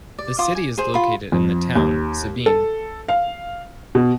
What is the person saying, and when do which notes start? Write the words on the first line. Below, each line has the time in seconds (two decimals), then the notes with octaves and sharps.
The city is located in the town, Sabin.
0.19 D5
0.39 F4 C6 D6 D#6
0.55 G#5
0.78 G#4 C5
0.94 F4 B5
1.32 F2
1.75 D#2
2.46 A4
3.08 F5
3.95 B2